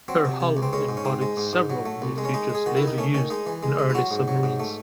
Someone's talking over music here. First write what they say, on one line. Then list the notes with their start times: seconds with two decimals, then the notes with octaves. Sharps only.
Her hull embodied several new features later used in early submarines.
0.08 F#3 C4
0.25 C3
0.40 C3
0.57 C#2
0.63 C4
0.73 G#3 C#4
0.89 G#2
0.97 C#4
1.05 G#2 C4
1.21 G#3
1.37 G#2
1.53 G#2
1.70 F#3
1.85 A3
2.02 C2
2.18 G#3
2.25 C#4
2.34 G#3 D#4
2.49 G#3
2.55 G#4
2.66 D#3 F#4
2.77 E4
2.82 D#3 D#4
2.98 A3 C#4
3.14 D#3 C#4
3.30 G#3 D#4
3.47 E3
3.63 G#3
3.78 G#3
3.90 E4
3.95 F#3 F#4
4.11 G#2
4.28 F#3
4.43 G#2
4.60 A3